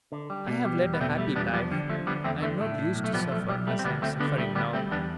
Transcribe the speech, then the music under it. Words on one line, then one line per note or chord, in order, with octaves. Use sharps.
"I have led a happy life; I am not used to suffer as I am suffering now."
D3
G3
B2
G3
E2
B3
B2 A3 C4
G3 A3
E2 B3 D4
F3 G3 B3
D3 G3
F3 A3
D3 G3 B3
E2 A3 C4
D3 A3
A2 A3
A2
B1
A3
F3 G3 B3
B1 A3
B1 G3
G3 A3
C4
D2 G3 B3
D2 A3 C4
D3 B3 D4
G3 A3
D2 G3 B3
G3 A3 C4
E2 B3 D4